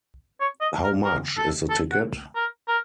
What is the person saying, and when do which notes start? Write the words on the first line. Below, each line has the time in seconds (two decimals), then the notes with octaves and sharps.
How much is the ticket?
0.40 C#5
0.61 D#5
0.83 A#4
1.04 A#4
1.37 A4
1.70 A4
1.92 F#5
2.35 A#4
2.68 A#4